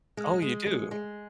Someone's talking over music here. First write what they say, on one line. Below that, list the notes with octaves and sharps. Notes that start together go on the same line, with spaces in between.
Oh, you do?
G#3
G#3
G#3
G#3